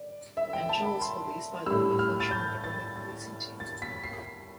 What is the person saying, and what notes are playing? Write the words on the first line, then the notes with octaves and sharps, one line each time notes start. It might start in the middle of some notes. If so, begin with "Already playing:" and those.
Benchill is policed by the Wythenshawe Neighbourhood Policing Team.
Already playing: D5
E5
G5
A5
B5
C6
A2 G3 E6
F6
A6
G6
A6
A6
A6
B6
C7